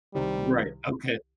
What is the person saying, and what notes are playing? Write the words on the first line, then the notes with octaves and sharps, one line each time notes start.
Right, okay.
C2 C3 D#3 G3